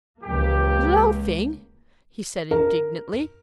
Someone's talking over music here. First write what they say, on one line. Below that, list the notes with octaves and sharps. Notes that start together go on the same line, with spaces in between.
"Loafing!" he said indignantly.
C#2 E3 F3 A#3 G4
A#4